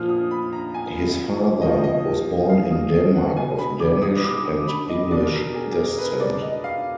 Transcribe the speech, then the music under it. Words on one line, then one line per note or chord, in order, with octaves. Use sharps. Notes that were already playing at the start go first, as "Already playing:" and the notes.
His father was born in Denmark of Danish and English descent.
Already playing: A#2 F3 F6
D#6
B5
A#5
G#5
A#2 F3 D#5
D#5
F5
D#6
F#5
B2 G#5
B5
D6
D#6
D6
D#6
B5
D#5
B2 D5
A#4
G#4
G#4
A#4
B4
D5
D#5
F5